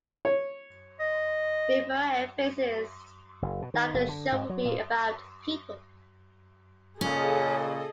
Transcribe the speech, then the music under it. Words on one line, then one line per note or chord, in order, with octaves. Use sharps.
Rivera emphasized that the show would be about people.
C#5
D#5
F#1
B2
D#3
F#1
D3
G#2
F#3
A#2
A#2 C#3 C#4 G#4 A4 D#5